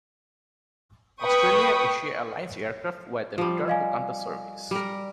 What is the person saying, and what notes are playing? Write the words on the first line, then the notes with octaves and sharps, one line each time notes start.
Australia Asia Airline's aircraft were then returned to Qantas service.
B4 G5 B5 C#6 D#6
F3 G3
D#5 F5 G#5
G3 A#4